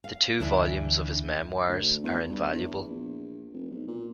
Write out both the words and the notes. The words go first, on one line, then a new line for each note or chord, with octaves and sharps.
The two volumes of his "Memoirs" are invaluable.
F5
D2 E3 D4 E4
D2
E2
G2
E2
A#1
F1
B1
A#2